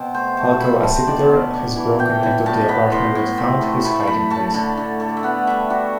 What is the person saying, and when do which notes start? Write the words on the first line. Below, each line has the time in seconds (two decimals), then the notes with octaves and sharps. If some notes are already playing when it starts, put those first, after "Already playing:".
Falco Accipiter has broken into the apartment and found his hiding place.
Already playing: B2 C4
0.14 A3 C5
0.37 A3 A5
0.60 C4 B5
0.83 C4 A5
1.07 B2 D5
1.29 B2
1.54 D4
1.76 E3
1.99 E3 G5
2.23 E3
2.46 A2 A5
2.68 B3 B5
2.92 A2 C6
3.15 A2
3.38 C4
3.61 A3
3.85 A3 B5
4.07 A3 B5
4.30 A3 A5
4.54 D3
4.77 D3
5.00 A3
5.09 D5
5.17 E5
5.23 B3 F#5
5.47 G3 E5
5.70 D4 F#4